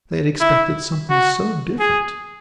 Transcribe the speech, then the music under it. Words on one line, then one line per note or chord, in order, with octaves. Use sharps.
They had expected something so different.
E4
F#4
G#4